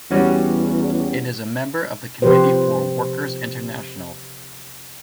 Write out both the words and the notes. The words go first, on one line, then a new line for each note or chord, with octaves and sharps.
It is a member of the Committee for a Workers' International.
E2 G3 C#4 F#4
C3 F3 G4 B4 C5